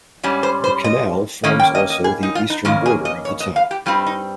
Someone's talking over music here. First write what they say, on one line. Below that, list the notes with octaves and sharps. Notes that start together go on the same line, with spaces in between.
The canal forms also the eastern border of the town.
G#2 G3 C#4
C5
C5
D#5
D#3 A#3 C#4 D#5
G5
D#5
D#5
G#4
D#4
F4
D#4
F2 D#3 A#3 C#4 F4
G#4
D#5
C#5
D#5
F5
G4
G2 G3 C4 D#4 F4
D#4